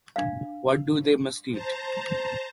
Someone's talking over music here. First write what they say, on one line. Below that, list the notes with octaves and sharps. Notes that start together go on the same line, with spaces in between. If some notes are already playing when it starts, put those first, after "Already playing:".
What do they must eat?
D4 F5
C5 A5 A#5